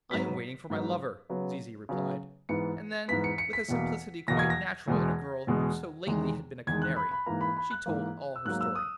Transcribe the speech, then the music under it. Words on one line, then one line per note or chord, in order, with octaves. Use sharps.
'I am waiting for my lover,' Zizi replied; and then, with a simplicity quite natural in a girl who so lately had been a canary, she told all her story.
G#2 F#3 B3 B6
G#2 F#3 B3
C#3 F#3 B3
C#3 F#3 B3
G#2 E3 B3 C#7
G#2 E3 B3 B6
C#7
C#7
B6
E2 B2 A#3
E2 B2 A#3 A#6
G#6
A#6
E2 B2 G#3
E2 B2 G#3
E2 D#3 G#3
E2 D#3 G#3 G#6
F#6
B5
B5
G#2 E3 A#3 A#5
B5
B5
F#6
G#2 E3 A#3
E6
G#2 F#3 A#3 F#6
E6
D#6